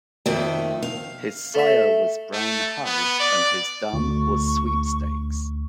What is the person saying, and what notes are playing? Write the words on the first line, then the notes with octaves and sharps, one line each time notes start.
His sire was Brown Hal and his dam was Sweepstakes.
F2 D#3 A3
F5
A3 E5
A3
B3
D5
D2 C#6